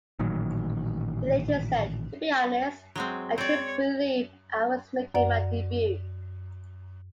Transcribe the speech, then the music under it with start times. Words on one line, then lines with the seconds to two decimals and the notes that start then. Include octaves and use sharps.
He later said, To be honest, I couldn't believe I was making my debut.
0.19 A1 A#2 D#3 F#3
2.96 F#3 G#3 C4
3.38 C4 C#5 D5
5.14 F#2 D5 F#5